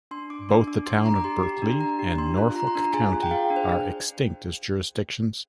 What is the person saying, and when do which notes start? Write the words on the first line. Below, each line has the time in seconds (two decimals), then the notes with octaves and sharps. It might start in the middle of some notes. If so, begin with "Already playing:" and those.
Both the Town of Berkley and Norfolk County are extinct as jurisdictions.
0.11 D4 C6
0.30 D4 D6
0.49 D4 C6
0.67 D4 D6
0.86 D4 C6
1.06 D4 A#5
1.15 D6
1.24 G4 C6
1.43 G4
1.62 D4
1.80 D4 A#5
1.99 G4
2.18 D4 C6
2.37 F4
2.55 F4 A#5
2.67 C6
2.75 D4 A#5
2.94 G#4 G#5
3.12 F4
3.23 G5
3.31 G#4 F5
3.50 D4
3.56 C5